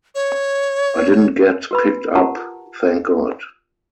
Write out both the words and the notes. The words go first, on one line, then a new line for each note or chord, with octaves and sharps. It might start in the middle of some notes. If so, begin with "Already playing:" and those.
It didn't get picked up, thank God.
C#5
F#4 B4 B5
F4 G4 A#4 F#5 A5 A#5